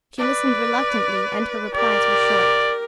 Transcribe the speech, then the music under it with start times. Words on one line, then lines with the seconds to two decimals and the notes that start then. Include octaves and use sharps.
She listened reluctantly, and her replies were short.
0.18 B4 D5
1.75 G4 A#4 D5